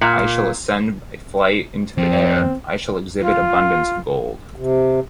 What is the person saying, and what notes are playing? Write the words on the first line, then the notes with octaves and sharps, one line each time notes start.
I shall ascend by flight into the air, I shall exhibit abundance of gold.
A#2
F2 C4
F4
C3